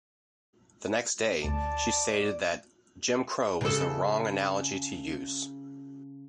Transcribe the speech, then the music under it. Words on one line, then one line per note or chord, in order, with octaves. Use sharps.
The next day, she stated that "Jim Crow was the wrong analogy to use".
D2 D5 A5
C#3 A4